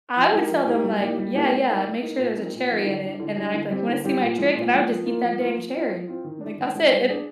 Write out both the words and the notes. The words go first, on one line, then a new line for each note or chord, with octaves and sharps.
I would tell them, like, "Yeah, yeah, make sure there's a cherry in it," and then I'd be like, "You wanna see my trick," and I would just eat that dang cherry, like, "That's it, it
F3
G#3 D#4 G4 A#4
F3
G#3 D#4 G4 A#4
G3
A#3 D#4 G4
G3
A#3 D#4 G4
G#3
D#4 A#4
G#3
D#4 A#4
A#2
F3 C4 D#4 A#4
A#2
F3 C4 D#4 A#4
D3
G3 D4
D3
G3 D4
D3
G3 C4 G4
D3
G3 C4 G4
A#2
F3 G#3
A#2
F3 G#3
F3
A#3 F4 A#4
F3
A#3 F4 A#4
F3
C4 F4
F3
C4 F4
D#3
G#3 D4
D#3
G#3 D4
G3
D4 G#4